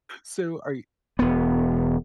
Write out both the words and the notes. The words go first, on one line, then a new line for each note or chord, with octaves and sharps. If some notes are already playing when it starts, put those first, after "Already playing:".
So, are y
E1 B3